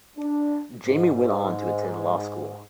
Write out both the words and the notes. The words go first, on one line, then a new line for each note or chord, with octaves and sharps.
Jamie went on to attend law school.
D4
G#2